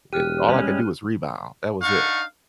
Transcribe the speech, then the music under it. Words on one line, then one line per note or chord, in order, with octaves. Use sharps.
Eh, all I could do was rebound. That was it.
E1 G4 F6 F#6 D#7
G3 G#3 C#4
D4 D#4 F5 F#5 C#6